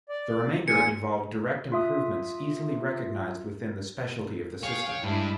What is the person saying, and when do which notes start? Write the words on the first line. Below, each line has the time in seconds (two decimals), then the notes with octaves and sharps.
The remainder involved direct improvements easily recognized within the specialty of the system.
0.09 D5
0.68 A#2 G#5 C#7
1.72 F4 E5 D#6
4.63 G#4 C#5 F5 G5
5.04 G2 G#3 D4 E4